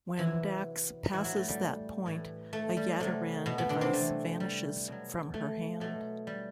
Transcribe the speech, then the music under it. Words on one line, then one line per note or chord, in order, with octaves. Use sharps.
When Dax passes that point, a Yaderan device vanishes from her hand.
C3 E3 F#3 E4
A2 E3 F#3 E4
F#3 F#4
A3
G3
A2 E3
A3
G3
C3 F#3 A3
B2 B3
B2 B3
D3 D4
C3 C4
C3 E3 A3
G3
B2 F#3
A3
B2 F#3 A3
G3